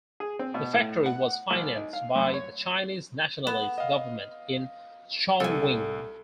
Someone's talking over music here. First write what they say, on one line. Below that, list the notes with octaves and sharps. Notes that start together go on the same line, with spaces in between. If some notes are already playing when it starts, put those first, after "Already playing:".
The factory was financed by the Chinese Nationalist government in Chongqing.
G#4
C4
B2
A2
F#5
C2
D#4
F5
F#2
C#5
B3 E7
D#5 F5
C2 A4 G#5